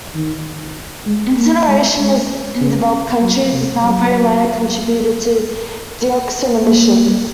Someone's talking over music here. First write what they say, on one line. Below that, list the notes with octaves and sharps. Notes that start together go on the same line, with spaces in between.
Incineration in developed countries is now a very minor contributor to dioxin emissions.
D#3
G#3
A#3
G#3
G#3
C#3
F#3
C3
F#3
A#3